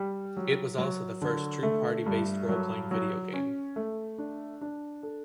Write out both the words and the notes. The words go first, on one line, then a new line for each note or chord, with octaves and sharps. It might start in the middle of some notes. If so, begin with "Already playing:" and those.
It was also the first true party-based role-playing video game.
Already playing: G3
F#3
F#3
D3
A3
G2
F#3
F#3
C#4
A3
D4
D4
A4